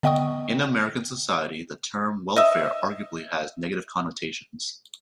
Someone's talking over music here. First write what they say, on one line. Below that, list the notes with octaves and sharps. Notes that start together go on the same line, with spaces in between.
In American society, the term "welfare" arguably has negative connotations.
D3 B3 D#5 G5 C#6 D#6
D#5 E5